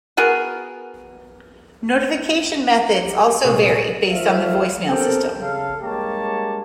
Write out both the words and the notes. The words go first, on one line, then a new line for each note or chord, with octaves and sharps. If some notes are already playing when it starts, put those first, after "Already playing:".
Notification methods also vary based on the voice-mail system.
B3 F#4 G#4 A#4
G4
C2 A#2 G#4 C#5 E6
D#3 F3 A3 E5 F5
B3 C4 G4 A4 A#4 G5
C#3 A4 F5
G2 G#3 A#3 G4 C#5 A5